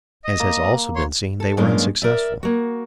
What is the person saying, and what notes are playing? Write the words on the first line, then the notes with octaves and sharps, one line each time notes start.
As has also been seen, they were unsuccessful.
D#5
A#3
C#5 C6
A4
G2 F#3 G#3 A#3 C#4 F4
A#4 D5 E5
A#3 F#4